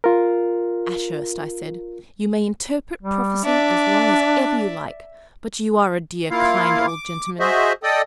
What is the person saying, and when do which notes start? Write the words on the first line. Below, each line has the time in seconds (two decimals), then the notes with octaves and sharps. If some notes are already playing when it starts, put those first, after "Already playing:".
Ashurst,' I said, 'you may interpret prophecy as long as ever you like, but you are a dear kind old gentleman.
0.04 F4 A#4
3.03 G3
3.44 D4 D5 E5
6.31 A#3 E4 F4 F5
6.87 D6
7.40 F#4 G#4 C5 D#5 E5
7.83 A4 D5 D#5 G5 D#6